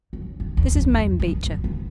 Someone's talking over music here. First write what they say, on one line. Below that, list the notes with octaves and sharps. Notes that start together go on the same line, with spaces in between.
This is Mame Beecher.
F#2
F2
E2
F2
F#2
F#2
F#2
E2